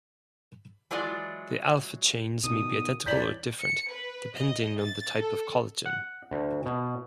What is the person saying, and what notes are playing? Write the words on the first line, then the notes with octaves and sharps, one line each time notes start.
The alpha chains may be identical or different, depending on the type of collagen.
E3 F#3 G#3 F4 D5
B2 D#3 D#6
D#1 E3 C#5 D5 G6 B6 F#7
C#7
B4
D#5
A6
A4
F#5
D2
B2